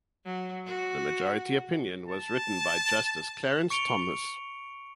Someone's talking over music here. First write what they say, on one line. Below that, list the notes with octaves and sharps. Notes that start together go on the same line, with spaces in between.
The majority opinion was written by Justice Clarence Thomas.
F#3
F#4
A5
C#6 C#7 D7 F7 G7